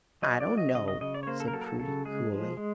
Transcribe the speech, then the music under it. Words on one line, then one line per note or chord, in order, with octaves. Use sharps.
"I don't know," said Prudy, coolly.
F#3 D#5
D5
F#3
D#5
C#3 D#5
D#5
C#3 D#5
D5
C#5
A#3 C5
A4
A#4
F#3 A4
A#4
A4
C#3 A4
G#3 G#4
F3
G#3